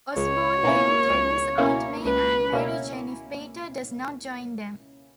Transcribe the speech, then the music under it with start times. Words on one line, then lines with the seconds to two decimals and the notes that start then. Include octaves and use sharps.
Osborn then threatens Aunt May and Mary Jane if Peter does not join them.
0.17 C#2 C#5
0.63 B2 A#3 C#4 E4
1.11 C#2
1.58 B2 A#3 C#4 E4
2.05 C#2 B4
2.53 B2 A#3 C#4 E4